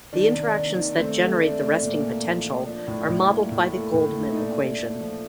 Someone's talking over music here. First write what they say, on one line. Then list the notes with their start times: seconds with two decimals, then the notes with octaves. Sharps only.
The interactions that generate the resting potential are modeled by the Goldman equation.
0.13 D#3 D4
0.34 C3
0.54 A#3 D4
0.76 D#3
0.97 A3 C4
1.19 A3
1.39 A3 D4
1.61 A3
1.82 A#2
2.03 A#3
2.24 F3
2.45 F3
2.66 F3 D4
2.87 A2
3.09 A2
3.30 A#3
3.51 A2
3.73 A3
3.94 A2
4.15 A3
4.30 D#4
4.36 A#2 D4
4.58 A#2
4.78 A3
5.00 F3